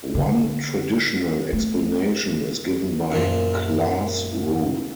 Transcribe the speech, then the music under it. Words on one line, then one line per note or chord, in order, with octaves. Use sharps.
One traditional explanation is given by Clar's rule.
D3 C#4
A3
F#2 A#2 F3